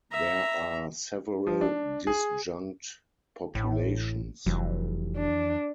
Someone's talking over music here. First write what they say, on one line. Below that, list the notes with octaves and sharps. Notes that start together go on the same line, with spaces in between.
There are several disjunct populations.
E5 A#5
F3
D4
G#4
A1 A2
F1 F2 E3 F#3
D4